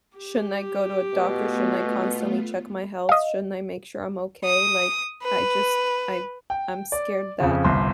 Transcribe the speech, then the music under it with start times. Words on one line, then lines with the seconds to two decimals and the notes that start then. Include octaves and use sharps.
shouldn't I go to a doctor? Shouldn't I constantly check my health? Shouldn't I make sure I'm okay? Like, I just, I I'm scared that
0.17 G4
1.14 B2 A3 B3 F4
3.09 D#5 F5
4.45 D#6
5.23 B4
6.50 G5
6.92 D5
7.40 F2 C#3
7.65 G1 C2 C6